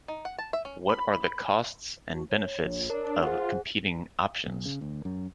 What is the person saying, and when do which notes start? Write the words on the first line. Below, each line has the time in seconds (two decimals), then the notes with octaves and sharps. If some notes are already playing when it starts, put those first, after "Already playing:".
What are the costs and benefits of competing options?
0.08 D#4
0.25 F#5
0.38 A5
0.53 E5
0.65 C#4
0.89 B5
2.14 F#4
2.30 C#5
2.64 A#1
2.90 D4 A#4
3.23 F4 G#4 C5 F#5
4.46 B1
4.65 C#3
4.81 D2
5.05 F#2